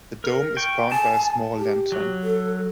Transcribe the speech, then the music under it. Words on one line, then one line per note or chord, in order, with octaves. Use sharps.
The dome is crowned by a small lantern.
A#4
G5 C#6
G#5 A5
G4
F#3
A4